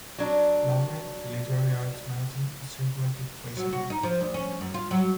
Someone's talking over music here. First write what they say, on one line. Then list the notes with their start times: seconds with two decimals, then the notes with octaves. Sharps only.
"Labyrinth," the literary arts magazine, is circulated twice a year.
0.18 F#3 D4
3.57 F#3
3.73 F#4
3.90 D#4
4.03 F3
4.21 D2
4.34 C#4
4.61 F#2
4.74 F4
4.91 F#3